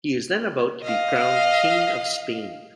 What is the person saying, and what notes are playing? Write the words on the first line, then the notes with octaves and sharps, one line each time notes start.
He is then about to be crowned King of Spain.
D#5 F5